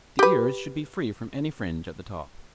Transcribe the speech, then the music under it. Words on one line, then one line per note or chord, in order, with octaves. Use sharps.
The ears should be free from any fringe at the top.
G4 B4